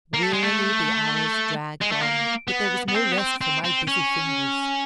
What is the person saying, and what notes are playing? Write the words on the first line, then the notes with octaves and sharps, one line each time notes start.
Wearily the hours dragged on, but there was no rest for my busy fingers.
A#3
A3
G#3
A3
G#3
A3
A#3
B3
B3
C4
B3
C4
C4
C4
C#4